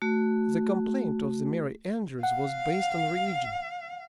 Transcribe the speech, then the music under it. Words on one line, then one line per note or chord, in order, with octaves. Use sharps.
The complaint of the merry-andrews was based on religion.
A3 F#4
F5 F#5